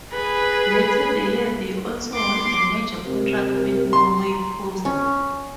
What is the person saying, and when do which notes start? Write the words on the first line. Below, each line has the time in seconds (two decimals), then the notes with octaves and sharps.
Later the year they also won a major contract with Norway Post.
0.12 G#4 B4
2.14 C6 D6
3.06 C3 A#4
3.93 A#5 C6
4.85 C#4